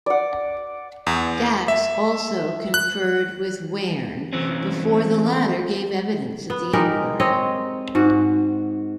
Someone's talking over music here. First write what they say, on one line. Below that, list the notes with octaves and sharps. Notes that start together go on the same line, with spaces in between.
Dax also conferred with Wearne before the latter gave evidence at the Inquiry.
D5 F#5
E2
E5
F#6
E3 C4 C#4
B3
G#3 D#4 G4 A#4
C4 C#5 D#5
G#2 F#4